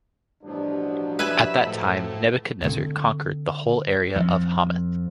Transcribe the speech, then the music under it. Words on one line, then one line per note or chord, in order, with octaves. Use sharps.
At that time Nebuchadnezzar conquered the whole area of Hamath.
A1 G2 B2 F3 F#3 D4
B4 E5 G#5 B5
A2
D3 C4
F2